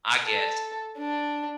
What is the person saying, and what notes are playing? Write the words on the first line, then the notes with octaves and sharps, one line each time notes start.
I guess.
A4
D4